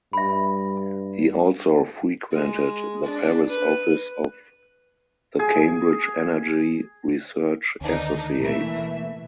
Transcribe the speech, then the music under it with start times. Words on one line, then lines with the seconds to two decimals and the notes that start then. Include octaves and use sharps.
He also frequented the Paris office of the Cambridge Energy Research Associates.
0.13 G2 E5 B5
2.31 G#3
3.04 D4
3.49 B4
5.39 G#4
7.81 D2 D#3 D4 D#4
8.40 B2 E3 A3 A#3 E5